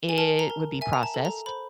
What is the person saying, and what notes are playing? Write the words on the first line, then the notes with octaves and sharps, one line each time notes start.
it would be processed,
G#5
A#4 A5
A#5
A#4
E5 G#5
A#5
A5
A4
A#5
C5 B5